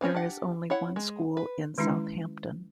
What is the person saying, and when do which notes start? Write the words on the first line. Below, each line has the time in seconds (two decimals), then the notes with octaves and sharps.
There is only one school in South Hampton.
0.01 E3 C4 C#4 C#5
0.14 D4 G4 F#5
0.70 E4 C#5 F#5
0.96 G#3
1.37 B4
1.78 D#3 G#3 C#4 D4 E4